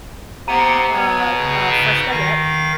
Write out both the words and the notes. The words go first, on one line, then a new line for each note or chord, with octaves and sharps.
a a fresh baguette,
C3 A#3 B3 F#5 A#5 D#7
B2 B3 C#5
C#3
G#2 C#3
D#3 F5 A#6